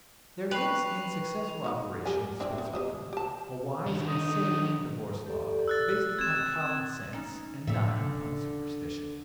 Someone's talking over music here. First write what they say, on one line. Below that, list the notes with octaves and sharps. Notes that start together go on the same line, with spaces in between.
There is in successful operation in Switzerland a wise and sane divorce law, based upon common sense and not upon superstition.
B4 G5 C#6 C7 F7
D#4 F5 F#5
G4 A#4 G#5
C4 D4 E4
B3
G4 C5 D#5
G4 A5
D3 D#3
D#4
G4 A4 D5
E6 F#6 A6
C4 G#6 E7
C#4 D#4
A2 D3 A#3 E5
C#3